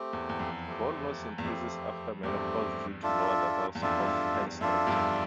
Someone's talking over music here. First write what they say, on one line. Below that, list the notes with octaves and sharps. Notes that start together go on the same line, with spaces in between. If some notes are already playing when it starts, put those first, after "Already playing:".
Bone loss increases after menopause due to lower levels of estrogen.
Already playing: A3 C4 G4
E2
E2
F2
A3 C4 G4
E2
F2 A3 C4 G4
E2 G2 A3 C4 G4
D4 F4 A4 E5
E2
F2 D4 F4 A4 E5
G2
F2
E2
F2 D4 F4 A4 E5
E2 G2